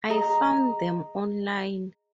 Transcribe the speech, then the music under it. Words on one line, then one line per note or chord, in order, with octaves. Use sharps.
I found them online.
G#4 D#5 A#5